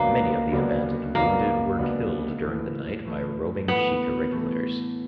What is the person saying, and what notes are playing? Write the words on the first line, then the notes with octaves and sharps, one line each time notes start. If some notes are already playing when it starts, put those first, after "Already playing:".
Many of the abandoned wounded were killed during the night by roving Sikh irregulars.
Already playing: C#2 C#3 F#3 A#3 B3 D4
C#2 C#3 F#3 B3 D4
C#2 C#3 F#3 A#3 B3 D4
C#2 C#3 F#3 B3 D4
A2 E3 A3
A2 E3 A3
A2 E3 A3 B3
A2 E3 A3